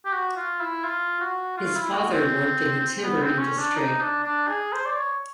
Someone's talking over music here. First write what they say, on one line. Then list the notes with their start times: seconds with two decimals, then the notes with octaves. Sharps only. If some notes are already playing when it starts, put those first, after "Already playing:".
His father worked in the timber industry.
0.05 G4
0.12 F#4
0.36 F4
0.60 E4
0.84 F4
1.21 F#4
1.57 F4
1.76 E4
1.93 F#4
2.12 C4
3.03 B3
3.22 C4
3.39 C#4
3.58 D4
3.75 D#4
4.00 D4
4.23 D4
4.48 G#4
4.73 C5
4.86 D5
4.96 C#5